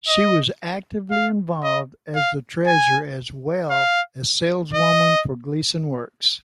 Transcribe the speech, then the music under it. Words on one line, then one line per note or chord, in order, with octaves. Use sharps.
She was actively involved as the treasurer as well as saleswoman for Gleason Works.
D#5
F5
D#5
F5
G#5
F5
D#5